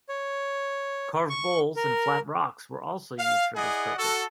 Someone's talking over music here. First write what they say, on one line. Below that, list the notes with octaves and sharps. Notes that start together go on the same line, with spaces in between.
Carved bowls and flat rocks were also used for this purpose.
C#5
C#6
A#4
F5
E4 G#4 D5 D#5 F#5
F#4 A4